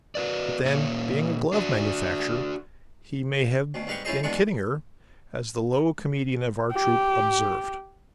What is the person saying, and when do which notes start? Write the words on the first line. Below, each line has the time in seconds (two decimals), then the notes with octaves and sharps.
But then, being a glove manufacturer, he may have been kidding her, as the low comedian of our troupe observed.
0.15 F#4 B4 D5
0.65 A#2 A#3 C#4 C#5
1.53 D4 F#4
3.74 D2 B2
3.87 C2 G#2 B4 F5 G5 C#6
4.05 C#4 E4 F4 G#4 C5 D#5
4.23 E2 B2 E3 G#3 D4 C#6
6.73 G4